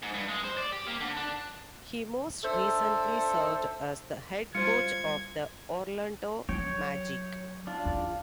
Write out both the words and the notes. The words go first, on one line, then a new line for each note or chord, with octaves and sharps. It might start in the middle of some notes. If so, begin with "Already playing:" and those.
He most recently served as the head coach of the Orlando Magic.
G#2
G2
G#3
C5
D5
G4
A#3
D3
D4
D4 A4 C5 E5
G3 F4 C5 G#6 C#7
F#3 C#5 G5
D4 F4
E2